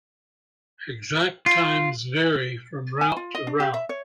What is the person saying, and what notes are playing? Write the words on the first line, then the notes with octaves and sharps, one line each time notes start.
Exact times vary from route to route.
F4
G#5
F4
D#5
D4
G4
E5
C#5